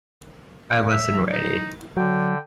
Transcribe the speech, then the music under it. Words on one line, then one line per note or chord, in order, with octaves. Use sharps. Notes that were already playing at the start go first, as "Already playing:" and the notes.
I wasn't ready.
E5
D#4
D3 F#3 G5